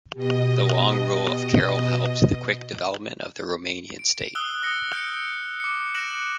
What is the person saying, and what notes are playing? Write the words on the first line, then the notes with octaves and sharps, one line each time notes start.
The long rule of Carol helped the quick development of the Romanian state.
B2 G4 D#5
D7
D#6 E6 F#6 G7
D#6 A#6 C#7
F6 G6 C#7 D7
D6 C#7
F#6 A#6 C#7 D7 E7 F#7